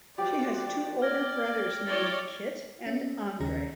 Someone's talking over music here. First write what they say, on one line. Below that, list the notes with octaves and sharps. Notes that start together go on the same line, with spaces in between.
She has two older brothers named Kit and Andre.
F3 F#4 G4 D5
D5 F6 G#6 A#6
E4 C#5 D5 A6 A#6 G7
C#4 E5
D#2 C#3 C#4 G#4 A#5 A#6